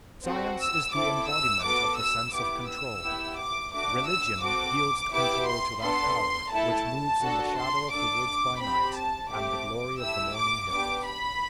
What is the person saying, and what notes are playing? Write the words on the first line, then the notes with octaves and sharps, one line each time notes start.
Science is the embodiment of the sense of control, religion yields the control to that power which moves in the shadow of the woods by night, and the glory of the morning hills....
C4 F#4 A4
E6
C4 E4 A4 D6
E6
B3 F#4 A4 D6
E6
B3 E4 G4 D6
E6
B3 E4 G4
D6
A3 D4 F#4 D6
E6
C4 F#4 A4 D6
B3 E4 G4 D6
C6
B3 D4 A4 C6
A3 E4 A4 A5
D4 F#4 A4
C6
D4 A4 D6
C4 G4 B5
A5
A3 C4 G4 D6
A3 E4 G4 E6
D6
B3 D4 G4 D6
B5